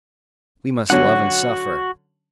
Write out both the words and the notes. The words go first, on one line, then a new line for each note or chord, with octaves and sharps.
We must love and suffer....
D3 F#3 C#4 F#4 F#5